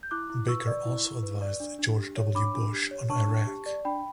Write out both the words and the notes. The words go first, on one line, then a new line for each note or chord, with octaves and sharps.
Baker also advised George W. Bush on Iraq.
G6
E4 D6 F#6
E4
B4 C#6 E6
D5
E4
E4
B4
D5
D4
D4
G4
C#5
D4 B5 D6
D4
G4
C#5
D4 A5 C#6
D4
G4
D5
D4 G5 B5